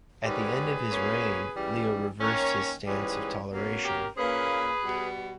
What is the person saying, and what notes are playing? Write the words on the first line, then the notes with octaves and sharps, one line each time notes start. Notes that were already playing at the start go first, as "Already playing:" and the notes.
At the end of his reign, Leo reversed his stance of toleration.
G#2 D#3 G3 C#4 G#4 B4
B2 A#3 C#4
C#3 E3 G3
D#3 A#3 C#4 A#4 C#5
G#2 E3 G3 C#4 G#4 B4
B2 A#3 C#4
G4 A#4
A#2 A#3 C#4 G#4 B4
B2 G3 B3